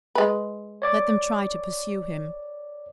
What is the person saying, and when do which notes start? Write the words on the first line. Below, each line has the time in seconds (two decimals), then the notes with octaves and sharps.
Let them try to pursue him!
0.15 G#3 B4
0.82 C#5 D5 D6